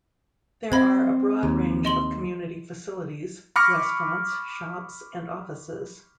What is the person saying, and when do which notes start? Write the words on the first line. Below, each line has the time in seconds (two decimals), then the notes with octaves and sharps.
There are a broad range of community facilities, restaurants, shops and offices.
0.72 C4 D#5 B5 G#6
1.43 D#2
1.85 D#5 C6 F#7
3.56 B5 C#6 D6 F6 A#6 C#7